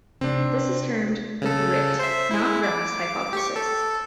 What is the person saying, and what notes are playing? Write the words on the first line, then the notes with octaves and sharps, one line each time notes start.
This is termed the Grit, not grass hypothesis.
C3 C4 D4 D#4
C#3 A4
C5 E5
G#3 E4
D6
G4 C#6
A4